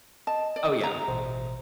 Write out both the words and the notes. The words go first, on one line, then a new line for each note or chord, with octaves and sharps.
Oh, yeah.
D#5 A5
D5
E5 A#5
A1 B2 C5